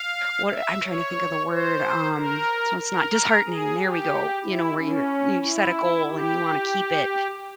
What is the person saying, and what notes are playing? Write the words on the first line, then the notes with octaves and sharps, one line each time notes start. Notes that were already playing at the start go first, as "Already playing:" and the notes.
what I'm trying to think of the word, um- so it's not disheartening- there we go. You know, where you're you set a goal, and you wanna keep it,
Already playing: F5
E5
C#5
C5
A#4
A#4
G#4
G4
E4
C#4
E4
G4